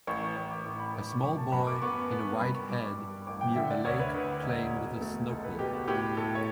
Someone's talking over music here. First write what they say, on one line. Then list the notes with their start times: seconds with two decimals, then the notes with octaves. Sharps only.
A small boy in a white had near a lake playing with a snokel.
0.07 A1 C#6
0.22 C#6
0.36 A1 C#6
0.51 D6
0.66 A2 C#6
0.80 B5
0.94 A2 D6
1.09 C#6
1.23 F#2 C#6
1.38 A5
1.52 F#2 B5
1.67 D6
1.82 B3 C#6
2.11 B3
2.39 G2 B5
2.55 C#6
2.69 G2 D6
2.83 C#6
2.98 G2
3.27 A1 D6
3.41 G5
3.56 D3 E5
3.71 D5
3.85 D2 C#5
3.99 B4
4.14 D2
4.43 E1
4.72 B2
5.01 A3
5.29 C#2 A4
5.44 B4
5.59 B2 G4
5.73 F#4
5.88 A2 G4
6.17 A2 A4
6.35 C#5